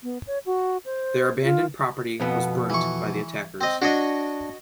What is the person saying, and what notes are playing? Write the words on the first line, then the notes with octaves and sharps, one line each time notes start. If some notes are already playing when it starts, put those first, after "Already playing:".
Their abandoned property was burnt by the attackers.
B3
C#5
F#4
C5
F4
F2 B2 B3
E3 C#6
C4 D#5
D4 F#4 C#5 D#5